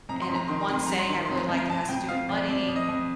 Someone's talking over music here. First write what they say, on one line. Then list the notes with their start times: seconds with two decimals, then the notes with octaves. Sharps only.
and one saying I really like that has to do with money
0.09 F2 A#5
0.22 C6
0.29 F2
0.35 A#5
0.48 D#3 C6
0.61 A#5
0.70 F2 C6
0.87 G3 A#5
0.99 C6
1.09 D#3 A#5
1.25 F2 C6
1.38 A#5
1.49 F2
1.69 F2 A5
1.88 F2 G5
2.09 F2 F5
2.29 F2 D5
2.49 F2 D5
2.69 F2
2.76 D#5
2.89 F2